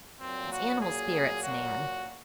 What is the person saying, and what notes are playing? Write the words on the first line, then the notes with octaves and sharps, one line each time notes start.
It's animal spirits, Nan.
A#2 F#3 A#3 C4
F#4
G#4
F#4